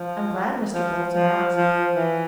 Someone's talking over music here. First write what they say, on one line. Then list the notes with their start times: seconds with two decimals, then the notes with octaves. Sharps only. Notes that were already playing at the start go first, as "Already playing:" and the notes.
"I'm glad Mr. Bolton asked."
Already playing: F3
0.74 F3
1.14 F3
1.55 F3
1.96 E3